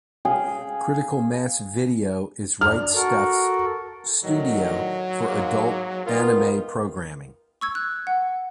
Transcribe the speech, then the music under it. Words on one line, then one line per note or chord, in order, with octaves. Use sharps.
Critical Mass Video is Right Stuf's studio for adult anime programming.
G#4 F5 G5
D4 F6
F#4 A4 A#4
A2 D3 D#3 F#3
G#2 G#3 A#3
G3 B3 D#4 F4 A#4
C#6 E6 G#6
F#6
F#5